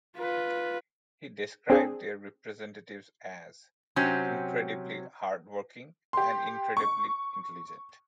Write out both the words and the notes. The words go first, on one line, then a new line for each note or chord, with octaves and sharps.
He described their representatives as "incredibly hard-working and incredibly intelligent".
F4 B4
C4 D4 G#4
C3 F#3 C4 C#4
G4 C6
C#6